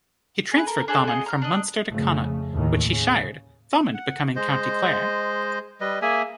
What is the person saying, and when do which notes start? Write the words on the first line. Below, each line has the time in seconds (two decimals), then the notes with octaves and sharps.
He transferred Thomond from Munster to Connaught, which he shired, Thomond becoming County Clare.
0.51 G#4 B4
0.67 A4 A#4 A#5
0.88 D4 G#4 A4 C5
1.07 B3 F4 G#4 D#5
1.26 A#5 F6
1.42 D4 D#5
1.89 F2 C#3 A3
2.52 D#2 A2 D#3
2.85 C#3
3.94 F#5
4.36 G#3 C5 D#5
5.81 G3 B4 D#5
6.02 A#3 G#4 E5 G#5